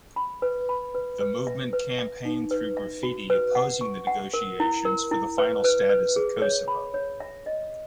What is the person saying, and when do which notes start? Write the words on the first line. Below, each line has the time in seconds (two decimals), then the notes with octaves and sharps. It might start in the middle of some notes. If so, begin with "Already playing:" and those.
The movement campaigned through graffiti opposing the negotiations for the final status of Kosovo.
0.16 B5
0.42 B4
0.69 B5
0.95 B4
1.21 B4
1.47 E5
1.73 B4
1.98 E5
2.25 D#4
2.51 B4
2.77 E5
3.03 F#4
3.30 B4
3.55 F#5
3.81 C#6
4.07 F#5
4.34 A#4
4.60 E4
4.85 A#4
5.11 E4
5.38 B4
5.64 B4
5.89 B4
6.16 G#4
6.42 C#5
6.68 B5
6.94 C#5
7.20 E5
7.46 D#5